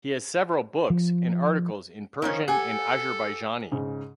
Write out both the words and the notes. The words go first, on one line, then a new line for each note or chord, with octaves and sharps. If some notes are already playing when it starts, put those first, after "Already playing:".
He has several books and articles in Persian and Azerbaijani.
F3
D#3 F3 C#4
G4 A4 F#5 G#5
G#2 C#3